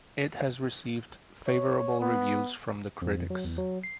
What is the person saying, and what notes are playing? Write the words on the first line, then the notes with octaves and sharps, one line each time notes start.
It has received favorable reviews from critics.
C#5
B3
F2
F#3
E2
F#3
C7